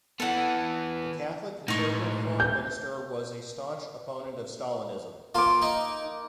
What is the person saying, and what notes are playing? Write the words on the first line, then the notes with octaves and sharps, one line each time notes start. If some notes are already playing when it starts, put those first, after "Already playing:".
The Catholic-conservative foreign minister was a staunch opponent of Stalinism.
E3 B3 A4 F#5
A2 G#3 D#4 C#6
G6
A#3 F4 D6
D#4